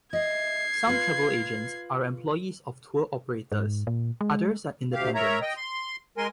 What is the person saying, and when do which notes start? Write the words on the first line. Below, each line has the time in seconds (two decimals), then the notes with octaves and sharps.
Some travel agents are employees of tour operators, others are independent.
0.13 D#5 E5 G#6 C7
0.87 F4 B4 F5
3.52 G#2
3.87 A#2
4.21 G#3
4.93 D2 G4 F5
5.15 A#4 C#5 E5 A#5
5.42 D#5 G5
5.57 C6
6.18 G#3 A#4 G#5 C6